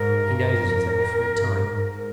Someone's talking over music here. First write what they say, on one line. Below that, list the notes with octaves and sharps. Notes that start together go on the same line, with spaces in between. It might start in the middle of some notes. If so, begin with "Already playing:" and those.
He knows it is only for a time.
Already playing: G#2 A#4
G2
F2
G2
G#2